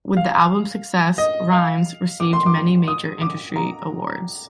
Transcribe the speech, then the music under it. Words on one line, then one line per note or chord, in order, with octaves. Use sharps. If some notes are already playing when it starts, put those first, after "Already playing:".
With the album's success, Rimes received many major industry awards.
F5
D#5
F5
D6
C6
D6
D#6
D6
A#5